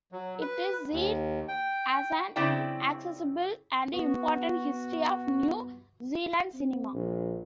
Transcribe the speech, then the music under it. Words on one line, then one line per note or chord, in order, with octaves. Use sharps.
It is seen as an accessible and important history of New Zealand cinema.
F#3
B4
D#2
G5
C#3 C4 E4 D5 G5
B3 F#4
C4
A#1